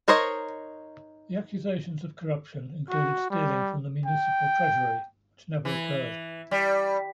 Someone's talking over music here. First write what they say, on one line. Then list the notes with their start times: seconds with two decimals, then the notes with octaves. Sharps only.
The accusations of corruption included stealing from the municipal treasury, which never occurred.
0.08 D#4 A#4 C5 C#5 D#5
2.90 F#4
3.30 G3
4.06 G5
5.65 E3
6.51 G3